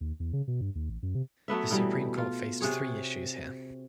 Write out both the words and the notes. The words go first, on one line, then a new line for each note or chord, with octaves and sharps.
The Supreme Court faced three issues here.
D#2
E2
C#3
B2
G2
D#2
A1
F#2
C3
F#3 A3 B3 E5
B2 E3 G3
F4
C3 F#4 G#4 C#5